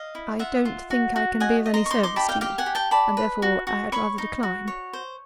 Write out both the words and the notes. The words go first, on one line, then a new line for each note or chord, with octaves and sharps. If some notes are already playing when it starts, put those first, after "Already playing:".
"I don't think I can be of any service to you, and therefore I had rather decline."
Already playing: D#5 F5
E4
F4 E5 F#5
F4
F#4
F#4
D#5 F#5 G#5
D#5
A#5 C6
C#6
D#4 C6 D6
C6 D6
G4 A5 B5
F5 G5
G4 F5 G5
F#5 G#5
G4
G5 A5
D5 A5 B5
B4
F#4
F#4
C#5 B5 C#6
D#4
F#4
C#5
C5